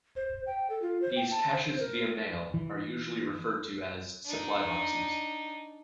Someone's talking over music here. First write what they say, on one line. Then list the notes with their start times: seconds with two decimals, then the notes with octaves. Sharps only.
These caches-via-mail are usually referred to as "supply boxes".
0.16 C5
0.47 G5
0.70 A4
0.82 F4
1.02 C5
1.16 G5
1.31 A5
1.53 C5
1.80 A#4
2.54 E3
4.25 D4 D#4